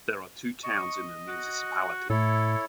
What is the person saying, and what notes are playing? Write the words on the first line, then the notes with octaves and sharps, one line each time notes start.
There are two towns in the municipality.
D#5 C#6
F#4
A2 E4 A4 C#5